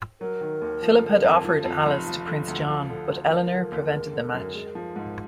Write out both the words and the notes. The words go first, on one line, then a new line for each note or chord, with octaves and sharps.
Philip had offered Alys to Prince John, but Eleanor prevented the match.
F#3 A#4
D#3
D#2
F3
D3
F2
F3
F2
F1
F3
D3
D2
F3
D3
D2
F3 A#4
D3
D#2
G#3
D3
F#2
G#3
F3
G#2